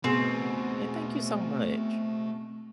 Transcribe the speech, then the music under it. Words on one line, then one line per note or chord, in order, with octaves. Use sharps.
and thank you so much.
B2 A3 B3 C4 G#4 C5